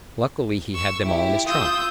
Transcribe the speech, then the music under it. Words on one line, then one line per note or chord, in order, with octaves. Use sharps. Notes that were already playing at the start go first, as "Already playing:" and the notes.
Luckily he had them all in his trunk.
C#6 E6
E4 G4
F4 D#6 E6 G6